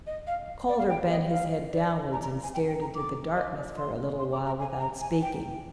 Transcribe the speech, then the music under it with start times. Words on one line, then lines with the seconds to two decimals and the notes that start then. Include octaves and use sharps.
Calder bent his head downwards and stared into the darkness for a little while without speaking.
0.07 D#5
0.27 F5
0.69 D5
0.78 F5
0.89 G5
1.10 D#5
1.30 F5
1.72 D5
2.12 A#5
2.23 A#5
2.43 G#5
2.54 G5
2.68 G5
2.81 A#5
2.95 D6
3.36 D#5
3.56 D5
3.78 C6
4.19 C6
4.32 D6
4.46 A#5
4.60 G#5
4.80 A#5
5.01 G#5
5.22 G5